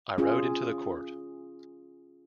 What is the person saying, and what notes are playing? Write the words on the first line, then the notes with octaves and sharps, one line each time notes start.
I rode into the court.
C#4 F4 G#4